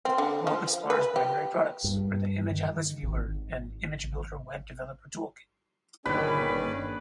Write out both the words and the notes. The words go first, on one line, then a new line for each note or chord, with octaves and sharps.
GlobeXplorer's primary products were the ImageAtlas viewer and ImageBuilder web developer toolkit.
C4
D3
F3
B4
G4
G2
D#3
G#1
G1 A#2 D#3 C#4 D4 G#4 B4 D5